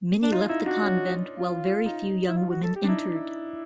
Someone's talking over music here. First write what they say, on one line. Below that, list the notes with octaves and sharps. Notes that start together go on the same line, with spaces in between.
Many left the convent while very few young women entered.
D4
D#4 F4
D#4 E4
D4 F#4
C#4
F4
D#4
E4
F4
F#4
A4
G4
D4
D#4 E4
E4